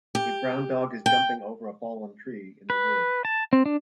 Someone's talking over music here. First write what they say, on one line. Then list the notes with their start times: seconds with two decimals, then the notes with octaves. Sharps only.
A Brown dog is jumping over a fallen tree in the woods.
0.15 G4
1.06 G5
2.70 B4
3.25 A5
3.53 C4
3.66 D4